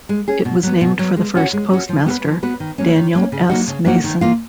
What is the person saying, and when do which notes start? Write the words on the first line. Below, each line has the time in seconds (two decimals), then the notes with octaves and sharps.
It was named for the first postmaster, Daniel S. Mason.
0.09 G#3
0.28 C#4 G#4
0.45 B2
0.63 F#3 B3
0.81 B2
0.99 F#3 B3
1.17 G#3
1.35 C#4 F#4
1.53 G#3
1.71 C#4 F#4
1.89 F3
2.06 B3 F#4 B4
2.25 F3
2.43 B3 F#4 B4
2.60 D#3
2.78 F#3 A#3 C#4
2.96 D#3
3.14 F#3 A#3 C#4
3.32 C#3
3.49 F#3 A#3 D#4 F#4
3.67 C#3
3.85 F#3 A#3 D#4 F#4
4.04 D#3
4.21 A#3 F4